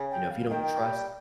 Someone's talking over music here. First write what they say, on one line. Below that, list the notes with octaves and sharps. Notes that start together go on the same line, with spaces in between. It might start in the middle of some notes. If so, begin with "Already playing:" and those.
you know, if you don't trust,
Already playing: C#3
G5
F5
D#3 G5
G3 G5